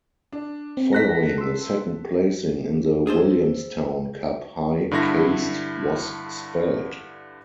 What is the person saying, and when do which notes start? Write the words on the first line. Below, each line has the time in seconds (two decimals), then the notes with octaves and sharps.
Following a second placing in the Williamstown Cup High Caste was spelled.
0.33 D4
0.77 C4
0.93 A4 F#6 A#6 B6
1.38 C6 E6
3.07 G#4 A4 C5
4.91 G2 D3 E4 B5 A#6